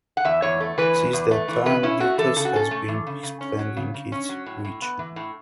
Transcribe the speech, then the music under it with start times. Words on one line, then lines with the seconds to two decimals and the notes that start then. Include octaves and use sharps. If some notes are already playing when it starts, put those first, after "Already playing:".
Since that time, Ducasse has been expanding his reach.
0.17 F#5
0.25 E2 E5
0.42 E2 C#5
0.60 A3
0.78 E3 B4
0.95 E2
1.13 E2
1.31 A3
1.48 E3
1.65 C#3 B4
1.83 C#4 E4
2.00 A3 F#4
2.18 E3 A4
2.36 C#3 A4
2.45 F#4
2.54 C#4 A4
2.71 A3
2.88 E3
3.07 C#3
3.23 C#3
3.41 C#4
3.59 F#3
3.77 C#3
3.94 C#3
4.12 C#4
4.29 F#3
4.46 A2
4.65 A2
4.82 B3
4.99 E3
5.16 A2